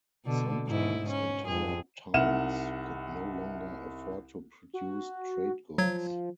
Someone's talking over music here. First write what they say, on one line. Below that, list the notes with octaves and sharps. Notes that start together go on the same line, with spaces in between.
Sometimes entire towns could no longer afford to produce trade goods.
B2 D3
G#2 E4
C#4
F2 G#4
C2 D#4 E5 F#5 F6 E7
F#4
F3 F#3 G#6